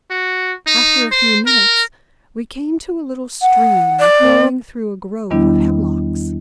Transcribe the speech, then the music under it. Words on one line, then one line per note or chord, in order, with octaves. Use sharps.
After a few minutes we came to a little stream, flowing through a grove of hemlocks.
F#4
D#4
C5
A#4
F#5
D5
C4
E2 D#3 G3 B3 D4 E4